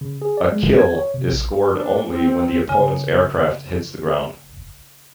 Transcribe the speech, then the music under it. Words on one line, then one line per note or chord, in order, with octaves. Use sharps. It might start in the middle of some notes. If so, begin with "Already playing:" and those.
A "kill" is scored only when the opponents aircraft hits the ground.
C#3
G#4
D5
G#3
G#6
C#5
C3
A1
D4
C4
C#3 G#5